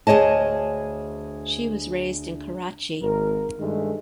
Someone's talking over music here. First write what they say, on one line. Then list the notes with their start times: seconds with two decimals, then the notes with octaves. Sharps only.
She was raised in Karachi.
0.07 D2 G#4 C#5 D#5 A5
3.01 G#1 A#4
3.59 G2 D#3 G#3 A3